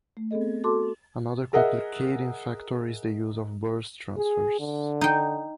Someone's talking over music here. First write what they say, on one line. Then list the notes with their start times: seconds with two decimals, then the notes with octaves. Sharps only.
Another complicating factor is the use of burst transfers.
0.17 A3
0.31 B3 C4 G#4 A4 D#5
0.64 F#4 A4 A5 C6 D6
1.53 G#4 A#4 D#5 E5 F#5
4.17 G#4
4.60 D3
5.01 D#4 G5